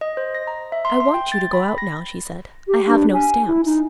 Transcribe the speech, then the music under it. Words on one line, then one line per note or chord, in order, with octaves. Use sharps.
"I want you to go out now," she said, "I have no stamps."
D#5
C5
A#6
A#5
E5
C6
C6
G5
A6
B5
A#6
G4
D4
G#5
E4
D#4